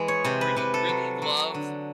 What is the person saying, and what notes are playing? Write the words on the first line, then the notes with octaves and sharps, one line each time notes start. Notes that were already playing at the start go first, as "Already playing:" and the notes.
where you really love
Already playing: E3 G#3
C#5
C3 C5
B4
C3 B4
A4
F#3
F#3
D3